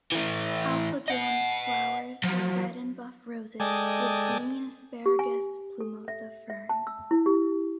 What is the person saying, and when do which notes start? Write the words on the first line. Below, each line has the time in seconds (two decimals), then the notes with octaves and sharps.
Alpha Gam's flowers are red and buff roses, with green asparagus plumosa fern.
0.12 E3 A3
1.08 D#5 F#5
2.24 F3 F#3
3.60 G#3 A4 D5 D#5 G5 G#5
5.06 G4
5.19 G#5
5.81 A4
6.08 E5
6.50 E5
6.69 A5
6.87 E6
7.11 E4
7.26 G4